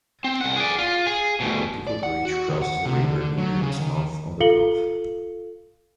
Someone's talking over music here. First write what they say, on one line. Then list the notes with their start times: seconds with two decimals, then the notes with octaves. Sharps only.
The Tampico Bridge crosses the river near its mouth on the Gulf.
0.24 C4
0.41 C2 F#5
0.56 G#4 D5
0.79 F4
1.06 G#4
1.40 D2 B2
1.87 D5
2.03 F#5
2.25 F#4
2.50 D#3
2.62 F#5
2.85 C3
3.05 D3
3.38 F#3
3.61 C#3
3.80 D#3
4.40 F4 A4 F5 C#7 F#7 G7